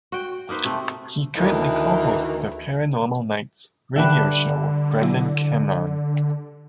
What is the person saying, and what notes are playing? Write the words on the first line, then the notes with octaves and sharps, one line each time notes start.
He currently co-hosts the "Paranormal Nights" radio show with Brendan Keenan.
F#4 G5
A#3 D#4 B4 C5
C3 A3
D2 D#3 E3
D3 G3 D4 B4 E5 F#5 G5
F#3 E4